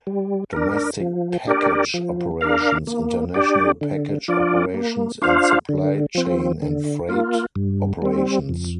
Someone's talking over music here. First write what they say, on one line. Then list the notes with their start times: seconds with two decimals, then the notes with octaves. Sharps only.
Domestic Package operations, International Package operations, and Supply Chain and Freight operations.
0.07 G3
0.53 D4 A#4
1.00 F3
1.47 D4 G4 A#4 D5
1.94 F3
2.41 D4 A#4 F5
2.87 A#3
3.34 D4 G4 D5
3.81 D3
4.28 F3 D4 F4 D5
4.74 A#3
5.22 D4 F4 C5 F5
5.69 D3
6.15 F3 C4
6.62 D3
7.09 A#3 F4
7.56 G2
8.02 G3 C4
8.49 F2